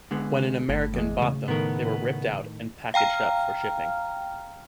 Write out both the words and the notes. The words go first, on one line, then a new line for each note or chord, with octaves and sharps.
When an American bought them they were ripped out and packaged up for shipping.
D3 G#3 B3
G1 A2
E2 G#3
C#3
A2 D#3 B3 A#4
F5 G5 A#5 F6